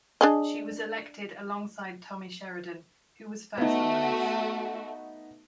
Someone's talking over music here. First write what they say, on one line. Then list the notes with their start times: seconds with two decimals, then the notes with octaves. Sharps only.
She was elected alongside Tommy Sheridan, who was first on the list.
0.21 D4 G#4 D#5
3.58 A3 B3 D#4 F#4